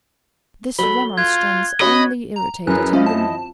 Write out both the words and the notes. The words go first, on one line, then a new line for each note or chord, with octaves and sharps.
This remonstrance only irritated him the more.
F#3 A4 B5 G7
F4 F#6 G#6
C#4 F#4 D#5 B5 C#6
A#5
F#2 E4 G#4 A#4 B4 F#6
C#4 E4 F4 C5 D#5 F5
C4 A5